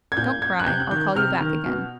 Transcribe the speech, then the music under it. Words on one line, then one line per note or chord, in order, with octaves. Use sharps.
"Don't cry, I'll call you back again."
G#6
A#2 G6
G#6
F#6
C3 G6
F#6
D#3 G6
C3 F6
D#3
B2